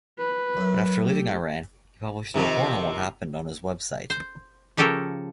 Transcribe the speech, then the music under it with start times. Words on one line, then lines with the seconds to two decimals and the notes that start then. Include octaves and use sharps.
But after leaving Iran, he published a report on what happened on his website.
0.18 B4
0.57 F#2 E5
1.01 A3 G4
2.34 C3 D#3 F3
4.10 C5
4.77 C#3 F3 G4 A4 A#4 C#5